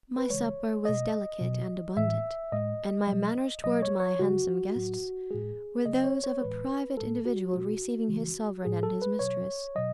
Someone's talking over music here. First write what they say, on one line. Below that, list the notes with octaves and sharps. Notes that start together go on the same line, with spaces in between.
My supper was delicate and abundant, and my manners towards my handsome guests were those of a private individual receiving his sovereign and his mistress.
B4
C#3 E3 G#3 C#5
B2 G#3 D#5
B2 F#3
A2 E3 G#3 E5
A2 G#3 D#5
B2 F#3
B2 F#3 D#5
C#5
C#5
C#3 F#3 F#4
A2 F#3
A2 G#3 G#4
C#3 F#3 D#5
C#5
C#5
A2 E3 G#3 B4
A2 G#3 A4
F#4
B2 G#3 F#4
C#3 E3 G#3
A2 G#3 G#4
A4
B4
B2 F#3 C#5
B2 F#3 D#5